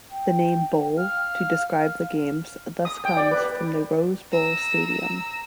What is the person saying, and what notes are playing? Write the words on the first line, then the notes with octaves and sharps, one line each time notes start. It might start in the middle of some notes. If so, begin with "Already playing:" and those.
The name "bowl" to describe the games thus comes from the Rose Bowl stadium.
G5
F5 F6
D#6
G5
D5
B4
A#5 E6